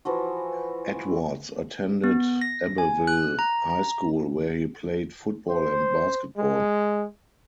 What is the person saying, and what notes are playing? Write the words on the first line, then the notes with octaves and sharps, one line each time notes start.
Edwards attended Abbeville High School, where he played football and basketball.
E3 F3 F#4
B3
A#6
G#5
F#6
A#5
A#5
C5
G#3